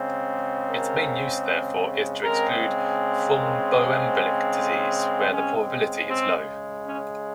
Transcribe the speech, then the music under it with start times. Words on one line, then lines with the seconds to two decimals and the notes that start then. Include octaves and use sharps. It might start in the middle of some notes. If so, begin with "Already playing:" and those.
Its main use, therefore, is to exclude thromboembolic disease where the probability is low.
Already playing: C#3 G#3 C4
0.69 A#4
2.23 C#3 G#3 C4 A#4
3.39 A#4
3.77 C5
5.31 C#3 G#3 C4 C#4
6.09 C4
6.85 C#4